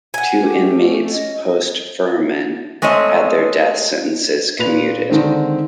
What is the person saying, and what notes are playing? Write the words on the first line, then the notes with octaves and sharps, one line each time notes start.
Two inmates post-"Furman" had their death sentences commuted.
F#5 G#5
A3 C#4 G4
C#4 D#5
G#3 A3 C4 C#5 D#5
A#2 B4 F7
D3 D#3 G#3 C4